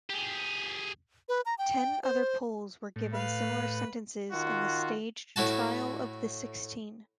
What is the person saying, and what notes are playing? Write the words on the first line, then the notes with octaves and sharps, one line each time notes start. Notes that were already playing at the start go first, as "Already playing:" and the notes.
Ten other Poles were given similar sentences in the staged Trial of the Sixteen.
G4 G#4
B4
A#5
G5
C5
A2
B4 F5
D#3 F4 F#4
A2 E4 F#4 A5